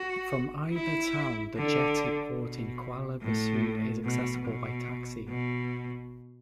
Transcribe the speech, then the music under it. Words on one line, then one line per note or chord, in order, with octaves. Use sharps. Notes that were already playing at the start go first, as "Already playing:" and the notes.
From either town, the jetty port in Kuala Besut is accessible by taxi.
Already playing: F#4
E4
D3
B2
A2
B2
B2
B2